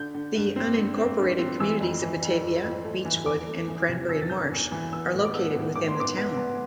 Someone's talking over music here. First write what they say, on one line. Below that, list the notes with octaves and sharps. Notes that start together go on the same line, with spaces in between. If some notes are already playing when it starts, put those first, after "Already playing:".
The unincorporated communities of Batavia, Beechwood, and Cranberry Marsh are located within the town.
Already playing: D3 G6
D3
G2
C4
D3
C4
G2
C4
E3 E6
F2
E3
F2
F2
F2
A3
E3
E2 D6
A3
E3
C3
E2 E6
A6
E2 G6
E2
E3
B3 E6
A2
D6
B3 E6
A2
A2 D6
C6
B3 D6
B3
B3